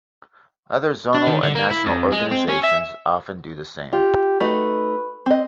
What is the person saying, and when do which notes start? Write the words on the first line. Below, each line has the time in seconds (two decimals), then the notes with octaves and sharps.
Other zonal and national organizations often do the same.
1.14 D4
1.27 D#3
1.43 D3
1.55 A#3
1.71 E4
1.86 F2
2.12 G#3
2.32 C4
2.49 C#4
2.64 E5
3.93 F4 G4
4.40 A3 D#4 F#4 B4
5.26 C4 D#5